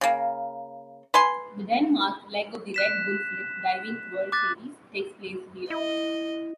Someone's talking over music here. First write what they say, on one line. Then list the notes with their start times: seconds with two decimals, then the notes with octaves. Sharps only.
The Denmark leg of the Red Bull Cliff Diving World Series takes place here.
0.01 C#3 A#3
1.14 B4 G#5 C6
2.74 F#6 B6 E7
4.32 D6 F#6 A6 B6
5.70 E4 D#5